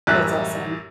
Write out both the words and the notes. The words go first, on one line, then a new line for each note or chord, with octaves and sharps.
That's awesome.
A1 F#2 G3 E5 F#6